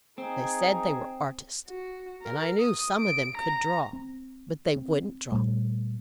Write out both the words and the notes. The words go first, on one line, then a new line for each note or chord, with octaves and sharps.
They said they were artists, and I knew some of them could draw,--but they wouldn't draw.
C4 D#4 G#4
F#4
A#4
D#6
D7
A#5
C4
C4
A#2 G3 A3